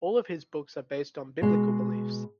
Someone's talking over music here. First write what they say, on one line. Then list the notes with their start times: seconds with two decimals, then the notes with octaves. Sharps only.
All of his books are based on biblical beliefs.
1.42 B2 G#3